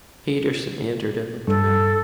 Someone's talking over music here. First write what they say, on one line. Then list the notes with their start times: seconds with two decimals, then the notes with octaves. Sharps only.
Peterson entered and looked around.
1.47 G2 A4